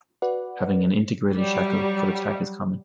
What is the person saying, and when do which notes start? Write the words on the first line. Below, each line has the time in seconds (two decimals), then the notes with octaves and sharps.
Having an integrated shackle for the tack is common.
0.22 F#4 B4 D5 F#5
1.35 F#3 G3